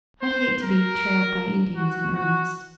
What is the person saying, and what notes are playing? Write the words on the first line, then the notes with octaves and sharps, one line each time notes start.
I'd hate to be trailed by Indians in earnest.
C5
A#4
F#4
F#4